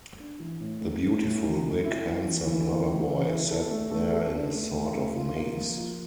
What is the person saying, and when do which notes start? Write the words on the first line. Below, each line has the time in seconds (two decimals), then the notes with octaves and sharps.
The beautiful, big, handsome lover-boy sat there in a sort of maze.
0.19 D4
0.40 E3
0.61 A2
0.81 A3
1.02 A3
1.23 A2
1.44 E3
1.64 A3
1.84 E4
2.06 A#3
2.26 E3
2.47 E3
2.67 A#3
2.88 E3
3.09 E3
3.29 E4
3.51 A4
3.71 A3
3.91 A3
4.13 A4
4.33 D4
4.54 A3
4.74 A3
4.95 A3
5.16 F4
5.37 A#3
5.57 F3
5.78 F4